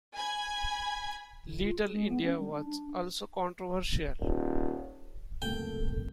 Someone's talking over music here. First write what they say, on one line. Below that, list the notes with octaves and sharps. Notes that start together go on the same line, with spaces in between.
Little India was also controversial.
G#5 B5 G#6
D3
F4
G#4
G#3
B3
C#4
G3
D4
D4
D#1
C#2 F#2 C3 A3 A#3 A4 G5